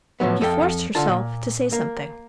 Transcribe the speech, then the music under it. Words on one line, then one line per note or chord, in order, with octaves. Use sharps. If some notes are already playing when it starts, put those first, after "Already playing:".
She forced herself to say something.
A2 F3 F#3 B3
F2 A4 G5
D3 F4 A5
A#2
A#3